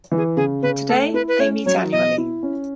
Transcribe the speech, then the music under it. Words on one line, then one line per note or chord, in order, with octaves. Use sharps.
Today, they meet annually.
E3
G#4
C#3 G#4
C#3 B4
A3 A4
E4 B4
B4
C#4 C#5
F#3 C#5
B2 D#5
E4
C#4